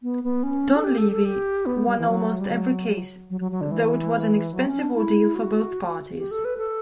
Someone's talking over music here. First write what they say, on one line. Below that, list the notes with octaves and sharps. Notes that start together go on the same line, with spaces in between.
Donleavy won almost every case, though it was an expensive ordeal for both parties.
B3
B3
C#4
A4
G4
A4
A4
G4
B3
G3
E3
F#3
G3
F#3
F#3
F#3
F#3
D3
E3
F#3
C#4
D4
E4
F#4
G4
A4
B4
A4